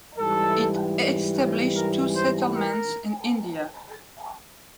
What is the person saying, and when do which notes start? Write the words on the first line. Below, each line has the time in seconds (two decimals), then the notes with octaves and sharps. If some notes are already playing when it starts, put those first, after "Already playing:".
It established two settlements in India.
0.17 G#2 E3 G3 A4
1.76 A#4
2.16 C5
2.55 A#4